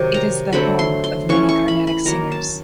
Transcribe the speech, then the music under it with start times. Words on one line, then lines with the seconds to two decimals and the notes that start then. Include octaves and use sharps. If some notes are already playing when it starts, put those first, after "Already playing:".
It is the home of many carnatic singers.
Already playing: C3 D#3 F#3
0.14 A#5
0.53 D3 F#3 A3 C4 B5
0.79 C6
1.04 C6
1.29 E3 A3 C#4 C#6
1.49 C#6
1.68 B5
1.87 B5
2.05 D#3 F#3 A#3 A#5
2.32 A5